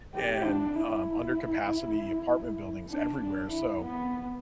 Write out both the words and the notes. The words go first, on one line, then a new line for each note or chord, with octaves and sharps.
and, um, under-capacity apartment buildings everywhere. So
G4
D4
E4
D4
D4
E4
B3